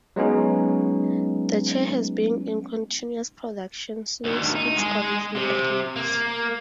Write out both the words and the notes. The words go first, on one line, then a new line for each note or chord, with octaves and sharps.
The chair has been in continuous production since its original release.
F#3 G#3 B3 C#4 D#4
D2 D#3
D#4
G#3 G#4
C3
A#3